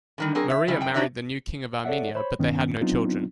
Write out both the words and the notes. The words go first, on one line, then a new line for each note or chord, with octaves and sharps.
Maria married the new King of Armenia but they had no children.
D3 D#3 G3
F#3 C4 G#4 A#4
E5
C#3 G3 G#3 E4
F#2 G5
D4 D#4 F#4 G4 C#5 E5
A4 C#5 D5 E5 F#5
C5 C#5 B5
G2 D#3 B3 C#4
F#3 B3 C4 D4 D#4 F4